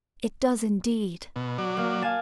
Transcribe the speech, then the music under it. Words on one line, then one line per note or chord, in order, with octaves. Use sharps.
It does indeed.'
B2
F#3 D5
A#3
F5 G#5 A5